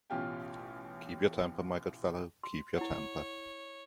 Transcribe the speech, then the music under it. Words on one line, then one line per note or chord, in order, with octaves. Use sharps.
Keep your temper, my good fellow, keep your temper!
A1 B2 C#4 F4 G4 G5
C6
E4 C#5 F#5